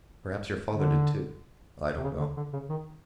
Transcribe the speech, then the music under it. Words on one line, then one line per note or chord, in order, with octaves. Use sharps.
Perhaps your father did, too; I don't know.
D3
C3
C#3
D3
D3
C#3
D#3